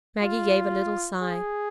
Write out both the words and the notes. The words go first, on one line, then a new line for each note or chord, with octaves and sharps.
Maggie gave a little sigh.
F4
G#4